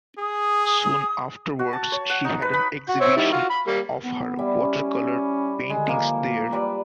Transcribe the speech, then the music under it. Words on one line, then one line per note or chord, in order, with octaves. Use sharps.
Soon afterwards she had an exhibition of her watercolor paintings there.
G#4 D#6
F#4
A5
C#5
F#5
D#4
B4
B5
F#4
C5 C#5 E5
D#3 G3 E4
F4 F#4
B5
G3 A#3
B3
G3 E4
C#4
D3 G#3
F3 A#3
G3 B4 D5